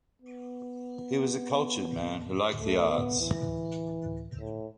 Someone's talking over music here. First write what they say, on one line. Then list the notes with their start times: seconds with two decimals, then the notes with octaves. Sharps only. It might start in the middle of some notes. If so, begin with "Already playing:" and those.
He was a cultured man who liked the arts.
0.22 B3
2.60 A3
2.90 B3
3.20 E3
4.40 A2